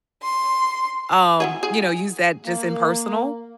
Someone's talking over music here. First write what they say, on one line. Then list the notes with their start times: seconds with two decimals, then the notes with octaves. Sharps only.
um, you know, use that just in personal?
0.23 C6
1.40 E4 F#4 G#4
1.63 G#4
2.45 A#3